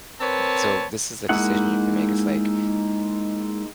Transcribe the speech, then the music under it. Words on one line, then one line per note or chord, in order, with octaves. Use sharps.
n so, this is a decision you have to make, it's, like,
C4 A#4 B4 C#5 A5
G#3 A#3 D#4 E4 F#5